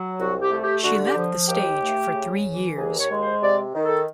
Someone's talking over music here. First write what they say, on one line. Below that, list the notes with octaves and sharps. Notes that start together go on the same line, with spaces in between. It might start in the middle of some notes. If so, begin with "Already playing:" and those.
She left the stage for three years.
Already playing: F#3
C2 F#4
G4
A3
G4
D3 F#4
G4
F3
D#2 G4
A3
C#3
E3
D#2 G#4
C#5
G#3
C5
C3 D5
D#3
A4